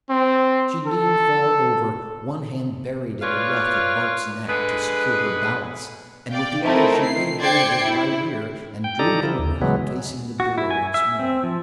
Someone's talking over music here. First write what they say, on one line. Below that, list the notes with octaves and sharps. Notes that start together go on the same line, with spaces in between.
She leaned far over, one hand buried in the ruff of Bart's neck to secure her balance, and with the other she laid hold of his right ear and drew him around facing the door once more.
C4
A4
F4 B4 C#5 D5 F5
D3 G#3 G#4 B4
D5 F5 G5
A3 C4 D#4 E4 A#4
C7
C5 D5 G5 G#6 C7 C#7
E4
G5
D#4 G4 A4 D5 A#5
F3 E4
D#2
C#3 E3 F#3 G#3 B3
F#4
E4
G#5
E5
C4
F3